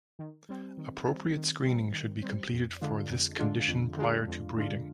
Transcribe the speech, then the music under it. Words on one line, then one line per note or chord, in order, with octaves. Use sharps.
Appropriate screening should be completed for this condition prior to breeding.
D#3
G3 C4
D#3
G3 C4
D#3
G3 C4
D#3
G3 C4
F2
D3 G#3 D4 F4
F2
D3 G#3 D4 F4
F2
D3 G#3 D4 F4
F2
D3 G#3 D4 F4